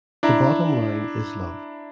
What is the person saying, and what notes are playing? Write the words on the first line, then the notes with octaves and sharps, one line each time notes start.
The bottom line is love.
D4 E4 A#5